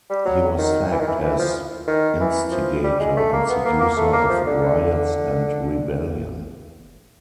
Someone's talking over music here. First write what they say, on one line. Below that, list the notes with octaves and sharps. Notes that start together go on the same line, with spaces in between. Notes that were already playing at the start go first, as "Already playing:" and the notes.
He was sacked as "instigator and seducer of riots and rebellion".
G3
F#3
D#3
E3
D#3
E3
E3
F3
D#3
E3
F3
G3
G#3
A3
A#3
B3
A#3
A#3
A3
A#3
F3
D3
D3